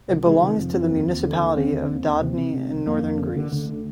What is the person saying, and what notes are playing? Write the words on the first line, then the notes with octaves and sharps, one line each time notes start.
It belongs to the municipality of Dodoni in northern Greece.
C2
C3 G#3
C3 D#3
F2 F3
F2 C4
D#2
D#2
D3
D#2
D3 C4
D#2
D#2
D#2
C3 C4
C3
C3
C2
F2 A#3
F2
D3
D3
D2 D3
D3